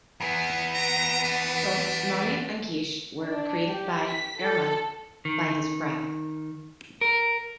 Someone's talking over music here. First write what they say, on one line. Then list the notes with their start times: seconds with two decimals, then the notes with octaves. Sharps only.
Both Moni and Gish were created by Imra by his breath.
0.20 E2 B3 G#4
0.74 A#5
1.24 D4
3.22 D4
3.71 G4
4.08 B6
4.40 A4
5.25 D#3
7.01 A#4